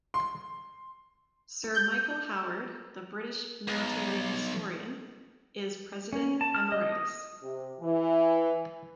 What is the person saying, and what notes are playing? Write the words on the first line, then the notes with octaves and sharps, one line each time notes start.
Sir Michael Howard, the British military historian, is President Emeritus.
C6
G6
B1
C#4
A5
F6
D#5
D#6
C3
E3